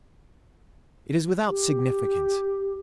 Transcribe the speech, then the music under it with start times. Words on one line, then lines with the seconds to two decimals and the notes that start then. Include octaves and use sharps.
It is without significance!
1.48 G4